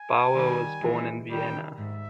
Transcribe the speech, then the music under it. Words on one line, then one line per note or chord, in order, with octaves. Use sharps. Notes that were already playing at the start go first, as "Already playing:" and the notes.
Bauer was born in Vienna.
Already playing: G#5
D#3 G3
E3 G#3
D#3 G3 G5
G#2 E5